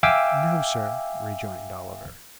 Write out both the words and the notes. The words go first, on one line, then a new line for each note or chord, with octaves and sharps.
'No, sir,' rejoined Oliver.
E5 F5 G5 G#5 D6 E6